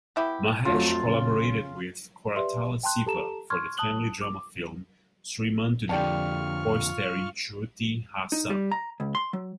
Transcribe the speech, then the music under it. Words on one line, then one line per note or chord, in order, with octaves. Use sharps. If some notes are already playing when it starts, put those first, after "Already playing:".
Mahesh collaborated with Koratala Siva for the family drama film "Srimanthudu" co-starring Shruti Haasan.
B3 E4 G4
F2 F#3 A3 F4
C#3
G4 B4 D5 E5 C6
G5 A5 C6 F#6
G4 A4 A5 A#5 E7
C6 C#6 F6 G#6
A5 D#6 F#6 F#7 G7
D6
F2 D3 F4 G4 D5 A5 C#6 F6
D#4
G3
A#5
C#2
C6
F#3